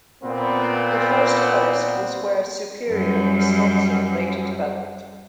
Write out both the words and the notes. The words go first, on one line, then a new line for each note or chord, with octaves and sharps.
The first post was where Superior, Wisconsin, later developed.
A#2 B3 C4
F#2 G3